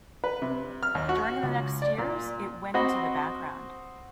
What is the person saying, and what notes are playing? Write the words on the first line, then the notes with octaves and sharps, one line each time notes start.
During the next years it went into the background.
B4
C3
F6
D#2
F#4
C#2
D5
A#2
C4 F#4 D#5 B5